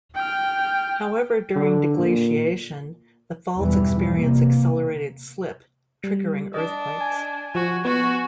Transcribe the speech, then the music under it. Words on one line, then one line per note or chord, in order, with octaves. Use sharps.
However, during deglaciation, the faults experience accelerated slip triggering earthquakes.
G5 F6
D3
A#2
E2 G2 B2 E3 G3
C3 A#3
G3
D4 D#5
G#5
F3 F#4
B3 F#4